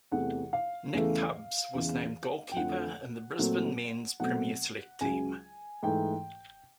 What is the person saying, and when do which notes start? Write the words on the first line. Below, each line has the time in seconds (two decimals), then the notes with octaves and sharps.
Nick Tubbs was named Goalkeeper in the Brisbane Men's Premier Select Team.
0.11 E2 C3 E3 A3 F#5
0.53 F5
0.93 E2 C#3 E3 A3
1.74 E2 C#3 E3
2.52 G5
2.56 F2 D3 F3 A3 F#5
3.39 A#2 F#3 A3 C4
4.20 B2 F#3 A3 C4 F#5
5.01 C#2 C#3 F#3 G#5
5.83 G#2 E3 A3 G5